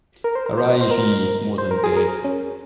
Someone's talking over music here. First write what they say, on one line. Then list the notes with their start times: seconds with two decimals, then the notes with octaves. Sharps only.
Arise ye more than dead!
0.24 A#4
0.35 C5
0.46 A#4
0.58 C5
0.81 C5
0.91 A#4
1.58 C5
1.71 A#4
1.84 G#4
1.97 A#4
2.24 C#4